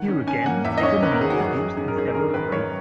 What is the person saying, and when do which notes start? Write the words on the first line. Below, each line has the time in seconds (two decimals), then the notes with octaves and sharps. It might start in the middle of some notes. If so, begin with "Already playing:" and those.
Here again, "economy" is used in several ways.
Already playing: D#3 F#5
0.08 C#4
0.27 C#4 G#5
0.46 A#3 F#5
0.64 E2 E5
0.78 D#5
0.83 C#4 C#5
1.02 C#4 B4
1.12 A#4
1.21 D#3 G#4
1.30 F#4
1.40 F#2 G#4
1.58 C#4
1.77 C#4 G#4
1.88 A#4
1.96 C#4 G#4
2.15 D#3 A#4
2.33 D#3 B4
2.52 F#2 C#5